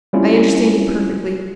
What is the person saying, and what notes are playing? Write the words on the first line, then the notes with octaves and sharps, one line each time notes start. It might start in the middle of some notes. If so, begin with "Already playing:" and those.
I understand you perfectly.
G3 A#3 C4 C#4 E4 F4